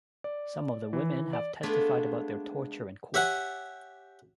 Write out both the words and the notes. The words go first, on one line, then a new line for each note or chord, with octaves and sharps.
Some of the women have testified about their torture in court.
D5
E3
D5
G#3 A3 B3 D4 F4
G4 C#5 E5 F#5 G#5